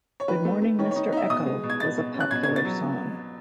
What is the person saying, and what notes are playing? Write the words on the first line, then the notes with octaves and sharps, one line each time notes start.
"Good Morning, Mister Echo" was a popular song.
C#5
D#3 B4
A3
A3
D#3 C#5
C#5
D#4
D#4 E5
B2 D#6
G#3
B2
G#6
B2 A6
B2
C#4
F#6
B2 G#6
G#6
B2
A6
F#3